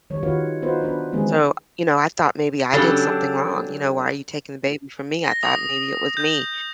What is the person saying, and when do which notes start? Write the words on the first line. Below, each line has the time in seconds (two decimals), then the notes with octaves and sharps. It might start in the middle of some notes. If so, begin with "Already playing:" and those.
So, you know, I thought maybe I did something wrong. You know, "Why are you taking the baby from me?" I thought maybe it was me.
0.10 D#3 G3 C#5
0.23 D#3 F4 F#4 B4 C#5 F5
0.62 B3 D#4 F4 F#4 B4 C5
0.81 B3 D4 B4
1.13 D#3 E3 G#3 B3 C4 G#4
2.73 C#3 F#3 C#4 D4 G4 A4
5.24 A#6
5.43 D#6
6.17 G6